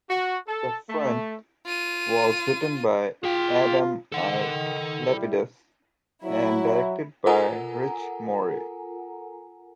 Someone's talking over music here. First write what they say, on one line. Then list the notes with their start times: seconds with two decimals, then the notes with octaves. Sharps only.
"The Front" was written by Adam I. Lapidus and directed by Rich Moore.
0.10 F#4
0.48 A4
0.90 A3
1.66 F4 D#7
3.24 F4 G#4 G5
4.12 D#3 A4 F#5
5.07 C2 G3 E4
6.24 F#3 E4
7.26 F4 A4 A#4 F#5 G#5 A#5